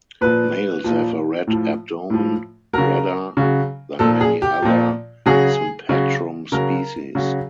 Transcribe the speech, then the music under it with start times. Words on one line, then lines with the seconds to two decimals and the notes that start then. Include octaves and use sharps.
Males have a red abdomen, redder than many other "Sympetrum" species.
0.21 A#2 F3 B4
0.84 A#2 F3
1.47 A2 F3
2.10 A2 F3
2.73 C#3 F#3 A#4
3.37 C#3 F#3
3.99 A#2 F3 A4
4.21 G#4
4.42 G4
4.62 A#2 F3
5.26 C#3 F#3 G#4
5.89 C#3 F#3
6.52 C#3 F#3 A#4
7.15 C#3 F#3